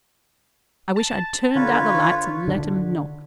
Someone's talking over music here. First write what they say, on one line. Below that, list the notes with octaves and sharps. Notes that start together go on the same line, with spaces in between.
I wish I'd turned out the lights and let 'em knock.
A5
D3 F4 B4 C#5
D3